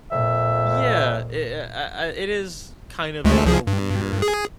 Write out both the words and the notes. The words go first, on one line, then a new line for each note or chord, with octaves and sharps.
Yeah. I uh uh, I It is kind of a a weird,
F2 A#2 E5
D2 G#3 A3
C2 F3 G#4
G2
G#4